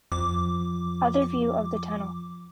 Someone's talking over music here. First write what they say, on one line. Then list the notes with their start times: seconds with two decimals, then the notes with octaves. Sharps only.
Other view of the tunnel.
0.12 F2 F3 D6